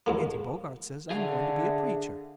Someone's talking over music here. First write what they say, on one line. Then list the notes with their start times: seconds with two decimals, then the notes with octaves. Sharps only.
Auntie Bogart says I'm going to be a preacher.
0.06 D#2 G#2 A#3
1.10 D3 G#4 E5 F5